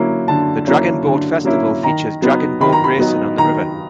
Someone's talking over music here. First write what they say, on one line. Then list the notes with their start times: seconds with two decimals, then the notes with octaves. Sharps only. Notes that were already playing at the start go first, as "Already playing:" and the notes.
The Dragon Boat Festival features dragon boat racing on the river.
Already playing: D3 F#3 A#3 C#4 E4
0.28 D3 A5
0.67 F#3 A#3 C#4 E4
1.06 D3
1.45 F#3 A#3 C#4 E4
1.83 D#3 A#5
2.22 F#3 B3 D#4
2.61 D#3 B5
2.73 A#5
2.84 B5
2.99 F#3 B3 D#4
3.38 D#3 A#5